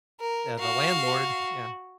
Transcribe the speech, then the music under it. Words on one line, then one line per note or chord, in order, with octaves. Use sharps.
Yeah, the landlord Yeah.
A#4
F#4 F5